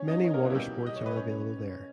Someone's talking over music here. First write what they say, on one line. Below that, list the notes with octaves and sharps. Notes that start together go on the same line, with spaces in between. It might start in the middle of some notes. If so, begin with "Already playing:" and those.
Many water sports are available there.
Already playing: C#4 C#5
D#4 D#5
C#4 C#5
A#3 A#4
B2 B3
E4
G3 G4
D#5
C#5
B4
C#4 C#5